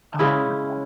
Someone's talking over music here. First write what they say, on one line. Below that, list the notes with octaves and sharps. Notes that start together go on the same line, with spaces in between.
Oh, no.
C#3 G#3 C#4 E4